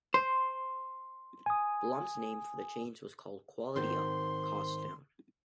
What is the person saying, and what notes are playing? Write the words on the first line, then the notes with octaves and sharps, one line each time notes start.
Blum's name for the change was called Quality up, Costs down.
C5 C6
G#5 D#6
G#1 D#3 C5 C6